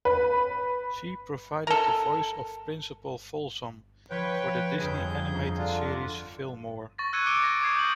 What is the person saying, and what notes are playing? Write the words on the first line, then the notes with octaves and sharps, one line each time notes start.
She provided the voice of Principal Folsom for the Disney animated series Fillmore!
B4
A4 A#4
F3 B4 C#5 G5
G1 F2 G#4 G6
F2 A#5 C7
D3 D4 F4
C#6 A6 A#6
E6 F#6 G#6 C#7 D#7
D6 C#7 D7 G7
A#6
D6 D#6 G#6 C7
G6 F#7